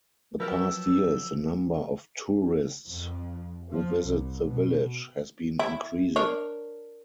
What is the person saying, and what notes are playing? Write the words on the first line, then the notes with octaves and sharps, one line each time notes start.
The past years the number of tourists who visit the village has been increasing.
F3 F#3 G4 A#4 B4 E6
F2
F3
C2
B2
E4
D4 A#4 C#5